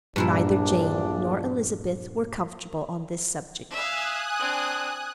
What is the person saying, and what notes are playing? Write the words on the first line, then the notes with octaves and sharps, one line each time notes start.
Neither Jane nor Elizabeth were comfortable on this subject.
A#1 E2 G2 A#2 D4 E4
E5 F5 G#5 D#6 F#6
C4 D4